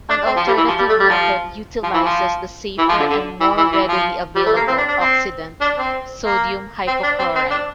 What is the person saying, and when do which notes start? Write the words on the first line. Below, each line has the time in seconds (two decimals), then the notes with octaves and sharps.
An alternative method utilizes the safer and more readily available oxidant sodium hypochlorite.
0.10 D4
0.26 C4
0.36 F3
0.47 G3
0.57 E3
0.68 F3
0.79 G3
0.89 A3
1.00 G3
1.10 F3
1.83 F3
1.94 E3
2.05 F3
2.78 E3
2.89 F3
2.99 D3
3.10 D3
3.40 E3
3.57 E3
3.72 E3
3.88 F3
4.36 G3
4.46 A3
4.56 A#3
4.68 C4
4.78 D4
4.88 D4
4.99 C4
5.61 D4
5.77 C4
6.24 A#3
6.87 C4
7.03 D4
7.19 C4
7.35 C4
7.50 D4